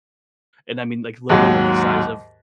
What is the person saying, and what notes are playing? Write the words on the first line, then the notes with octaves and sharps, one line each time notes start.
and I mean, like, literally they're the size of
D#2 G#2 F#3